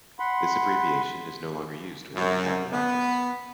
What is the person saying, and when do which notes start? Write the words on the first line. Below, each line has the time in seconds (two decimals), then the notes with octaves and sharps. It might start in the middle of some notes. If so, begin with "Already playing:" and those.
This abbreviation is no longer used within the Cabinet Office.
0.19 F#5 B5 C6
2.15 F#2
2.72 B3